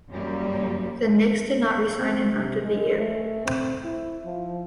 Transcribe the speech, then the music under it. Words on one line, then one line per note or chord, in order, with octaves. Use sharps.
The Knicks did not re-sign him after the year.
F#2 G3 A#3
C4
C3
G#3
A3
C4
E4
F3